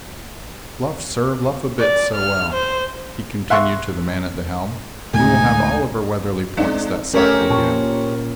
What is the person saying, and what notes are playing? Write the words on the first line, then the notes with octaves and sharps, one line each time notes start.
"Luff, sir, luff a bit, so, well," he continued to the man at the helm; "we will have all of her weatherly points that site will give."
D5
F6
C5
E5 F#5 C6 C#6 F#6
D2 A2 G#3 A3 D#4 G#5
G#3 C4 D#4 D5
A3 C4 C#4 G4 A#4 C#5
A#2 G5 A5 C#6